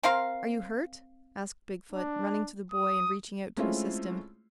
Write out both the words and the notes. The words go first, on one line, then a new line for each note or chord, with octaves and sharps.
"Are you hurt?" asked Big-foot, running to the boy and reaching out to assist him.
C4 A#4 F5 C6
D4
D#6
G#3 A3 C4 C#4 E4 F4